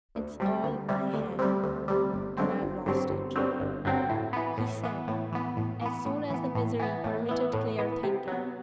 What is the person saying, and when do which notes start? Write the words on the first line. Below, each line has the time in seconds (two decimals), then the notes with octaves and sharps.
'It's all I had and I've lost it,' he said, as soon as the misery permitted clear thinking.
0.15 D2
0.40 C3 G3
0.64 D2
0.89 C3 G3
1.13 D2
1.39 C3 G3
1.63 D2
1.88 C3 G3
2.13 G1
2.37 G2 D3 F#3 C4
2.62 G1
2.86 G2 D3 F#3 C4
3.10 G1
3.35 G2 D3 F#3 C4
3.60 G1
3.85 G2 D3 F#3 C4
4.10 A2
4.33 E3 B3
4.58 A2
4.83 E3 B3
5.08 A2
5.32 E3 B3
5.57 A2
5.81 E3 B3
6.05 A2
6.30 E3 B3
6.55 A2
6.79 E3 B3
7.04 A2
7.29 E3 B3
7.53 A2
7.78 E3 B3
8.03 C3
8.27 F#3 B3